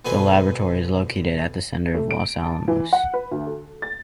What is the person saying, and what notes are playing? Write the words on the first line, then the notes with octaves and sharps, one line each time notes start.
The laboratory is located at the center of Los Alamos.
B2 D3 C4 B4 G#5
A3
D7
A5
E3
F#5
B4
D2
A4
A6